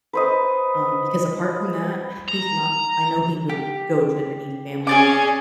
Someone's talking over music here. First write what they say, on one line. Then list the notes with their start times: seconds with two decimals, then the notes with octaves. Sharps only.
Um, because apart from that, he's not, I know he wouldn't go to any family
0.13 B4 C5 D#5
2.28 A#5
3.49 G4
4.87 C#4 G#4 D5 G#5 D6 G#6